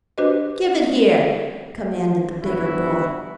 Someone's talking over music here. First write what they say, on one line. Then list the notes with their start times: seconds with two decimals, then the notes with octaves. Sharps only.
"Give it here!" commanded the bigger boy.
0.18 D4 F#4 G4 B4 C5 D#5
2.43 G2 E3 B3 E4 F#4